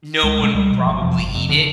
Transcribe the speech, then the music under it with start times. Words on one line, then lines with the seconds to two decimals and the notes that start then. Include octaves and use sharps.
no one would probably eat it.
0.23 C#2 G#3
0.39 B2 G#3
0.54 C#2 G3
0.70 B2
0.79 F3
0.86 G1 F#3
1.02 F2 C3 F3
1.18 G1
1.34 F2 C3
1.49 D3